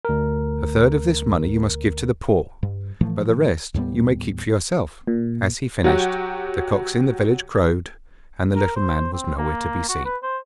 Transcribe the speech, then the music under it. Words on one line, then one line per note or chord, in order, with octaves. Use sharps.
A third of this money you must give to the poor, but the rest you may keep for yourself.' As he finished, the cocks in the village crowed, and the little man was nowhere to be seen.
D2 A#4
G2
A2 E3 F3 A3
D#2 A2 G3 B3
A#2
F#3 F#4 G4
A#4
C5
C4
A#3
F#4
B4
C5